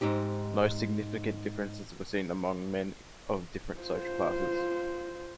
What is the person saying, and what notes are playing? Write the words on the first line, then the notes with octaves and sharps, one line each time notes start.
No significant differences were seen among men of different social classes.
G#2 C4 D#4 G4
F4 C5